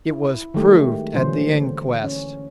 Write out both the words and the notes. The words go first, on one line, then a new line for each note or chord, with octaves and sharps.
"It was proved at the inquest."
E4
D#3 F#3 G#3 A3 G4
A#2 D3 E3 F#3 C#4 C5
C#4